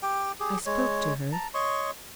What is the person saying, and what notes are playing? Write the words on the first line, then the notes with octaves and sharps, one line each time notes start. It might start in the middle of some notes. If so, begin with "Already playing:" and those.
I spoke to her.
G4 G5
G4 G#4
G#3 C#5
A5 A#5
C#5 D#5 C6 C#6